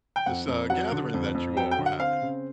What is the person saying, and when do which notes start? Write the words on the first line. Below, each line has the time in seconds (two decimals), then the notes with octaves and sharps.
this, uh, gathering that you all were having.
0.16 G5
0.26 F2 F#5
0.48 F2
0.70 F#3 F#5
0.92 D3
1.14 F2
1.35 F2
1.56 F#3 G5
1.71 G5
1.78 D3
1.86 F#5
2.00 C4 F5
2.22 C#3